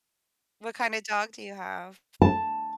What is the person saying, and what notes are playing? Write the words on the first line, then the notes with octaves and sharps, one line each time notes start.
What kinda dog do you have?
A5